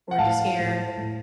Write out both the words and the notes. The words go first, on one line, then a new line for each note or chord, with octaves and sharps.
We're just here."
F#5
A2 F5 A5
A2
A2